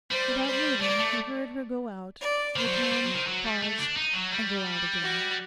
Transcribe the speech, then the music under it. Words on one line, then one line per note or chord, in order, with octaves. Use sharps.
Without moving he heard her go out, return, pause, and go out again.
G3 C5
C5
A3 D5
A#3
A3
D5
D#3 C5
F#3
G3
A3
G3
F#3
D#3
F#3
G3
A3
D4
D#4
F#3
G3
F#4